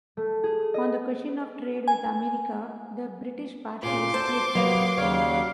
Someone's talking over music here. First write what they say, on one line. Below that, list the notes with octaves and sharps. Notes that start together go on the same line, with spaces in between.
On the question of trade with America the British parties split.
A3
G#4
D#5
G#5
A#2 C#3 C6 D6
D2 A4 C5 A5
C3 F#3 A#3 B3
D#2 C#3 C#5 D5 F5